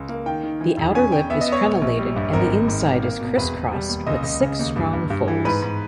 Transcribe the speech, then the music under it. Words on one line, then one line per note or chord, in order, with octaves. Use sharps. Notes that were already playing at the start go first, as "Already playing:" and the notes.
The outer lip is crenellated and the inside is crisscrossed with six strong folds.
Already playing: C#2
A#3
D#3 G5
D#3
E3
E1
C#4 G#5
C#4 G5
B3 E5
D#5
B3
C#5
A#1
A#1
G3
G2
G#1 A#4
G#1
G#2
G#1
A#3
B2
E1 B4
E1
G3
D#2
C#2 D#5
C#2
C#3
D#2
G2
G2
G2
E3
G#2 B4
G#2